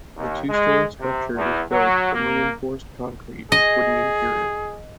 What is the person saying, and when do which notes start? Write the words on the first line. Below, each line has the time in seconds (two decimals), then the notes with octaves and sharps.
The two-story structure is built from reinforced concrete with wooden interiors.
0.17 D#2
0.50 G#3
1.00 C3
1.36 E2
1.71 F#3
2.13 A#3
3.52 G#4 D#5